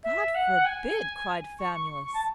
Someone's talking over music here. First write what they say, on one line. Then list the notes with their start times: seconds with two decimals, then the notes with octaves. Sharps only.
"God forbid!" cried Famulus.
0.03 E5
0.34 F#5
0.64 G#5
1.58 C#6
1.73 C#6
1.89 C#6
2.04 C#6
2.13 A5